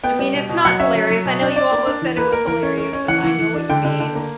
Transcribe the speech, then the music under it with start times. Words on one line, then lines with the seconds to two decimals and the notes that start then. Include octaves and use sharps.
I mean, it's not hilarious, I know you almost said it was hilarious, and I know what you mean.
0.04 B3 G5
0.19 G3
0.34 B2
0.49 B2
0.65 F#3 F#5
0.80 C#4 E5
0.95 F#3
1.10 F#3
1.25 B2
1.41 D4
1.56 D4 D5
1.72 A#3
1.86 D4
2.02 E3
2.17 A#3 B4
2.32 A#3 A#4
2.47 E3 A#4
2.63 C#4
2.78 C#4
2.93 C#4
3.08 E3 F#5
3.24 E3
3.39 E3
3.54 D4
3.69 D3 G5
3.85 D3
4.00 D3
4.15 A#3